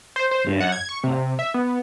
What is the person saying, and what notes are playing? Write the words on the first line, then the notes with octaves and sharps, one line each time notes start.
Yeah I
C5
C5
G2
F#5
G#6
C#6
C3
E5
B3